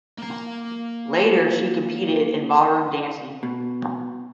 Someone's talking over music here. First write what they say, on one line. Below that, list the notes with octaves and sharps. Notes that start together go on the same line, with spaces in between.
Later she competed in ballroom dancing.
A#3 A#5
B2